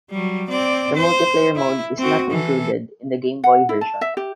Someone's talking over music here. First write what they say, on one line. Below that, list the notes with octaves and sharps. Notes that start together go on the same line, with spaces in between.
The multiplayer mode is not included in the Game Boy version.
F#3 G3
C4 D5
C5
E4
C4 F#4
E3 A4
F#5
E4
A5
E5
G4